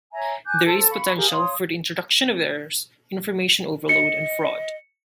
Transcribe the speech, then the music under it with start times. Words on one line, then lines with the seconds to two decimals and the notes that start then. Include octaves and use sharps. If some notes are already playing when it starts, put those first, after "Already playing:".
There is potential for the introduction of errors, information overload, and fraud.
0.12 C#5 E5 G#5 A#5
0.45 G#5 D6 F#6 G6
0.65 A4 C5 A5
0.89 F5 B5 C#6
1.16 G4 G#4 A#4 F5
1.30 C#5 F5 C6 D#6
3.89 D#5 C#7